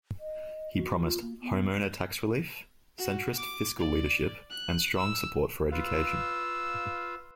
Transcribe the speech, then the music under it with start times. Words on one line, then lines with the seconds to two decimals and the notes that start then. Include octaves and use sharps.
He promised homeowner tax relief, centrist fiscal leadership, and strong support for education.
0.20 D#5
0.76 F#4
1.02 F4
1.22 A#3
1.41 B3
2.98 F#4
3.37 D6
3.79 D5
4.50 F#6
4.97 E6
5.72 F4 B4 F5 E6